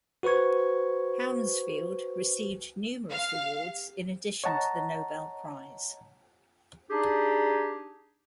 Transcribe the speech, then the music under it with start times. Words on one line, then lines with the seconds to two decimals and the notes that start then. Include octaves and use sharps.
Hounsfield received numerous awards in addition to the Nobel Prize.
0.23 F#4 B4 C5 C#6 G#6
3.11 F5
4.44 C#5 D#5 F#5 A5 A#5
6.90 D4 D#4 G4 G#4